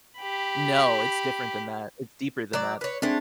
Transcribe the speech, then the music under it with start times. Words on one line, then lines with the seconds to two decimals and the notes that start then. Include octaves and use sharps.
No, it's different than that, it's deeper than that.
0.20 G4 B5
2.53 F#3 D5
2.81 B4 C#5
3.02 G#3 A3 C4 D4